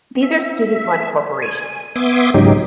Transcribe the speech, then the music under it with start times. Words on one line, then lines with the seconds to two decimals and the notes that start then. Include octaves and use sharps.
These are student-run corporations.
0.23 E5
1.42 G#5
1.95 B3 E5 C6 D6 D#6 G#6
2.34 G#2 C#3 F#3 D#4 G4